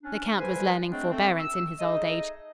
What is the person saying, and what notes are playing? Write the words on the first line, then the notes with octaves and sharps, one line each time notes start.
The count was learning forbearance in his old age.
C#4 D4
D2 G2 G3 B4 C5 G#5
F#3 G#3 A3 C4 D4
A3 C4
E6
A3 D#4 G#4 D#5